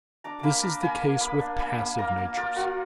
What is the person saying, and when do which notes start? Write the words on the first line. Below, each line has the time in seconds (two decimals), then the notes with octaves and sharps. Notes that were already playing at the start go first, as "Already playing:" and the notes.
This is the case with passive natures.
0.24 D4 A#5 D6
0.39 A#3 G#5 B5 D6
0.62 D4 A#5 D6
0.82 A#3 G#5 B5
1.01 A#3
1.17 A#3 B5 D6 D#6
1.40 D4
1.59 A#3 G#5 B5
1.79 A#3
1.98 F4 A#5 D6
2.17 A#3
2.36 F4 A#4 D5
2.56 F4 F#4 A#4